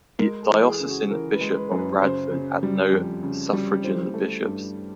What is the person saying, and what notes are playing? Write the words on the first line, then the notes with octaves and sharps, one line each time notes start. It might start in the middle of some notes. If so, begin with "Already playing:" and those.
The diocesan Bishop of Bradford had no suffragan bishops.
G#3 A#4
A4
E3
G#4
C#3
F#4
E3 A#4
B4
G#3
B4
F#2
B4
C#3 C5
C#3
G3
F2
C#3
G3
E3 C5
A3
G2